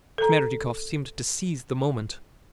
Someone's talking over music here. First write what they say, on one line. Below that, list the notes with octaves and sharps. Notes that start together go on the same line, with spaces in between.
Smerdyakov seemed to seize the moment.
A4 A#5